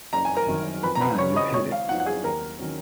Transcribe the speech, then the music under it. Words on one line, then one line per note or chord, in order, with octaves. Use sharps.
Man, you've hit it!
F#1 A#5
G#5
A#4 A#5
F#2 D#3
F2 B4 B5
A#5
B4 B5
C#3 F#3 C#4 C#5 C#6
D#5 D#6
G#1 C#5 C#6
F5
F#2 F3 B3 D#4 F#5
F#5
G#4 G#5
D#2 A#4 A#5
D#3 F#3 C#4